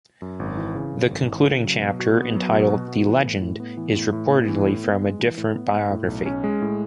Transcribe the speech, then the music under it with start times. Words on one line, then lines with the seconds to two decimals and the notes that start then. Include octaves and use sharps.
The concluding chapter, entitled "The Legend", is reportedly from a different biography.
0.22 F#2
0.39 G#1
0.57 E3
0.75 C#3
0.93 F#2
1.11 G#1
1.28 E3
1.46 C#3
1.64 F#3
1.82 B2
2.00 F#4
2.17 B3
2.35 F#3
2.53 B2
2.70 F#4
2.88 B3
3.06 E3
3.24 A2
3.41 A2
3.60 B3
3.77 E3
3.95 A2
4.12 A2
4.31 B3
4.48 E3
4.66 A2
4.84 B3
5.01 G#3
5.19 E3
5.38 A2
5.55 B3
5.73 G#3
5.90 A2
6.08 B1
6.26 C#4
6.44 G#3
6.61 A2